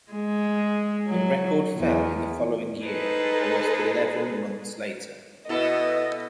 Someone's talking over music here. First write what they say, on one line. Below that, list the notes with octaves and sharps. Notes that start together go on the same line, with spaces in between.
The record fell in the following year, almost eleven months later.
G#3
F#3
E2
D#4 G#4 A4 B4 C5
B2 B3 E4 A4 D#5